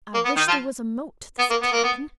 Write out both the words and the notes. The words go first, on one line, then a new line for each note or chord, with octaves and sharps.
I wish there was a moat to this cabin.
A#3
B3
D#3 D#4
F3 F4
B3
A#3
B3
A#3
B3